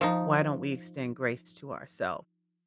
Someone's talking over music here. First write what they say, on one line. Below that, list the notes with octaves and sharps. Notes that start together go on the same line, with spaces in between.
Why don't we extend grace to ourself?"
F3 D#4